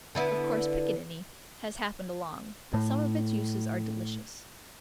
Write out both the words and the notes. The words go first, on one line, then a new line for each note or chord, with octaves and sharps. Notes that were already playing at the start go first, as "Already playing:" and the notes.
Of course, pickaninny has happened along, but some of its uses are delicious.
D3 B3 E4
A2 A3